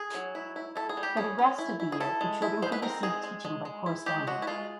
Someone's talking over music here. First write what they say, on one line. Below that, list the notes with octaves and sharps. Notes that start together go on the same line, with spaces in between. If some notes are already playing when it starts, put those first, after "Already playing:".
For the rest of the year the children could receive teaching by correspondence.
Already playing: G#4
F#3
E4
E4
E4 A4
G#4
G3
G4
C#4 G#4
C#4
E4
E4
G#4
E4 A4
G#3
E4
G#3 C5
B4
C4 A#4
G#3 G#4
G#3
G#3
G#3
E4
G#3 G4
G#3 F#4
E4
G#3 F4